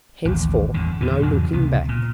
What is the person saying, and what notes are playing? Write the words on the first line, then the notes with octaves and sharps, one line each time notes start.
Henceforth no looking back.
A1 D#2
G1 E2 D3
E2 A#2 D3
E2 G#2 C#3 F#3
C#2 C3 B3
A#2